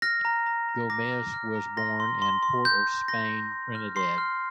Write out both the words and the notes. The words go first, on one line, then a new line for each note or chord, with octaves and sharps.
Gomez was born in Port of Spain, Trinidad.
F6 A#6
A#5
A#5
A#5
D6 A#6
F6
F6
A#5
C6 A#6
C6
C6
C6
G6
G6
C6 A#6
G6
C6
F6
C6 C7
F6